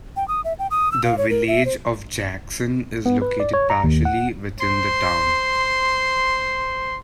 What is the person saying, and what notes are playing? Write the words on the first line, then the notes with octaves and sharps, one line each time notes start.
The Village of Jackson is located partially within the town.
G5
D#6
E5
G5
D#6
E6
F5
C#5
A#4
E5
C5
B3
B4
D5
C#5
A#5
D#2
F#5
C5 C6